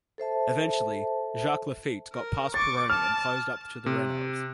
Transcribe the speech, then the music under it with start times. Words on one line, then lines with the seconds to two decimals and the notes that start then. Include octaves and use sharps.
Eventually, Jacques Laffite got past Pironi and closed up to the Renaults.
0.18 A4 C5 E5 A5
2.13 A#4
2.54 C#6 D6 A6
2.90 A5 F6
3.86 C3